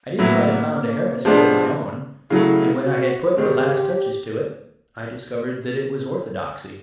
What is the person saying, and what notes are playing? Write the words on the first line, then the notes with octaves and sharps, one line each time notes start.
I did try to found a heresy of my own; and when I had put the last touches to it, I discovered that it was orthodoxy.
A2 F#3 A#3 B3 E4
C3 F3 G#3 B3 D4
C#3 F#3 A3 E4
F#4
G#2 D#3 G#3 C4 G4